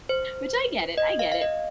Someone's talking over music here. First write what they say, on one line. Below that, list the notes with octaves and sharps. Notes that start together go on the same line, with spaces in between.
Which I get it, I get it.
C5
D#5
F5
F5
D#5